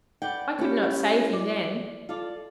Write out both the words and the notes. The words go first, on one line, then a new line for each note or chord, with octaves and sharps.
I could not save you then.
B4 D5 F#5 G5
C#4 E4 G4
D5
F4 A4 D5